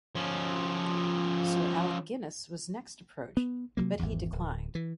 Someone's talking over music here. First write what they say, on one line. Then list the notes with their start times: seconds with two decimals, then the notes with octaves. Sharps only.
Sir Alec Guinness was next approached but he declined.
0.15 F3 C#4
3.37 B3
3.77 C3 F#3 G3 A#3
3.99 G#1 E2
4.33 D1
4.75 E3